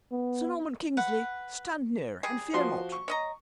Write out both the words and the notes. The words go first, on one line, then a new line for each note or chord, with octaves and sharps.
Sir Norman Kingsley, stand near, and fear not.
B3
B4 F#5
G3 G#4
F3 F#4 C6
C#6
C#5 D#5 A#5